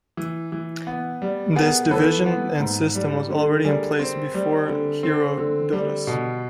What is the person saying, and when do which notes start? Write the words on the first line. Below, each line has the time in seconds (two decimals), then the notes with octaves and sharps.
This division and system was already in place before Herodotus.
0.17 E3
0.52 E3
0.87 B3
1.22 G3
1.56 B3 G#4 A#4
1.91 E3 A4 B4
2.26 B3
2.60 G#2
2.95 G3
3.30 D3
3.65 G3 G#4 A#4
3.99 C4
4.34 G3
4.68 D3
5.03 C4
5.38 D3
5.73 G3
6.07 B2